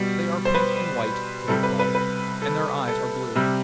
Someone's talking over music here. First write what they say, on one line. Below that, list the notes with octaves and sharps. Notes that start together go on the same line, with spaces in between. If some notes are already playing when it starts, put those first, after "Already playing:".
'They are pink and white,' he replied, 'and their eyes are blue.'
Already playing: B2 G3
C5
B4
C3 G3 A4
B4
B4
B4
A4
A4
C3 G3